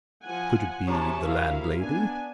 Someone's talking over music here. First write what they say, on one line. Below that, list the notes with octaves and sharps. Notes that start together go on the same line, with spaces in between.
Could it be the landlady?
F3 F#5 G#5
F#2 C3 C#5 A5
E4 A#4 F5
B3 D4 G#5